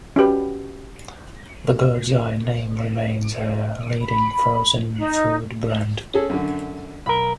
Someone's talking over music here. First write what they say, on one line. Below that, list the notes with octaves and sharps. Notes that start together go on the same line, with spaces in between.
The "Birds Eye" name remains a leading frozen-food brand.
C#4 F#4 G4 B4
B5
D#4
C#4 G#4 A4
F#2 D3
B1 A#4 B5